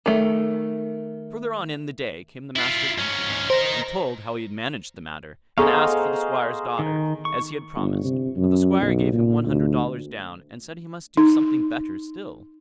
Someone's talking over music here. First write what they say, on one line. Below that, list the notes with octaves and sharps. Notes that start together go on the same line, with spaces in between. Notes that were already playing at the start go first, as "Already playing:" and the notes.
Further on in the day came the Master Thief again, and told how he had managed the matter, and asked for the Squire's daughter, as he had promised; but the Squire gave him one hundred dollars down, and said he must do something better still.
D#3 A3
E4 F4
G#2 C#4
D#4 A#4 C5
B3 G#4 A4 C5 D#5 F5 A#5 C#6
D#3
C#6
G1
C3
F#2
B1
A#2
D2
D#4